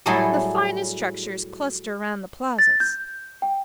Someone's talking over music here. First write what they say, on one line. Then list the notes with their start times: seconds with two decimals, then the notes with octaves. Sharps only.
The finest structures cluster around the plazas.
0.06 A2 F#3 G3 E4 G#4 A4
2.59 A6
2.80 G6
3.42 G5